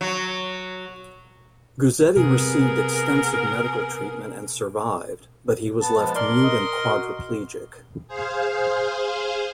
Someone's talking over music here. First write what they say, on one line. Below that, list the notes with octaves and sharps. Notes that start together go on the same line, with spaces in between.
Guzzetti received extensive medical treatment and survived, but he was left mute and quadriplegic.
F#3
C3 B3 G#4 A#4
B3 A5
F3 G#3 B3
A#4 D5 C6
D#5
F#4
G#4 C5 F5